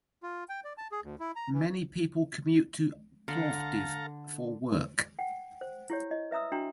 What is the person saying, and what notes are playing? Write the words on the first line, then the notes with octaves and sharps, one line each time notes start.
Many people commute to Plovdiv for work.
F4
G5
D5
A5
G#4
D2
E4
A#5
E3
D3 A4 F5 A#5
F#5 G5
C5
E4 G4 C#5
E4 D#5
B4 E5 A#5 D#6 E6
D4 F#4 G5 A#5 C6